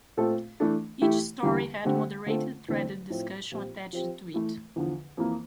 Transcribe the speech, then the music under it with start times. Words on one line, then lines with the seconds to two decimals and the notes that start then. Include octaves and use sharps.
Each story had moderated threaded discussion attached to it.
0.17 A#2 A3 C4 F4 A4
0.60 E3 A3 D4 A4
1.02 E3 A3 E4 G4
1.43 E2 D3 G3
1.84 D3 A3 C4 G4
2.26 D3 A3 C4 F4 A4
2.68 E2 D3 A3 C4
3.10 A2 F3 C4
3.52 A#2 F3 C4 G4
3.93 F3 C4 G4
4.34 E3 A3 E4
4.76 E2 D3 F3
5.17 F2 E3 A#3